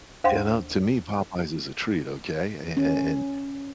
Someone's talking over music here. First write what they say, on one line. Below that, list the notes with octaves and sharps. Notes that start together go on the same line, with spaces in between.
You know, to me, Popeyes is a treat, okay? And and and
D#2 C5 F#5 G5 C6
C#4